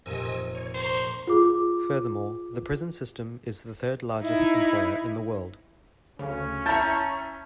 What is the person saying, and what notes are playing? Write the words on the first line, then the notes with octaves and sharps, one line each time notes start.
Furthermore, the prison system is the third largest employer in the world.
F1 A#2 D#5 G#5 E6 C#7
C#5
C5 A#5 C#6
F4 G#4 D6
D#4 E4
D2 C#3 C#4
E4 C#5 E5 A5 A#5 G6